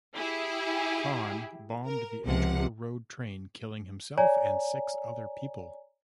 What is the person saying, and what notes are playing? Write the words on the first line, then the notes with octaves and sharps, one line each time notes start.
Khan bombed the Edgware Road train killing himself and six other people.
E4 G4 G#4
A#4
C#2 C3 F3 F#5
C#5 D5 G#5 A#5